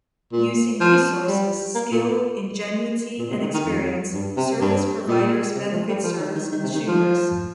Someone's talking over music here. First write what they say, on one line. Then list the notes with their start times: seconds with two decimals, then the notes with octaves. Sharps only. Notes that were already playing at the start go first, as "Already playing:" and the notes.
Using resources, skill, ingenuity, and experience, service providers benefit service consumers.
0.33 A#2
0.81 F3
1.28 G3
1.75 A#3
1.92 A#2
3.19 A#2
3.30 C3
3.42 D#3
3.54 D#3
3.66 F2
4.14 G2
4.37 C3
4.61 G2
5.08 A#2
5.56 C3
5.72 F3
5.88 G3
6.03 F3
6.20 D#3
6.35 D#3
6.52 D#3
6.64 C3
6.75 D#3
6.87 F3